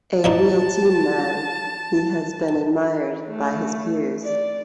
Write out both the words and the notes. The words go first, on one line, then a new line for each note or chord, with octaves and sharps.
A real team man, he has been admired by his peers.
F3 D4 D#4 A5
A3
D5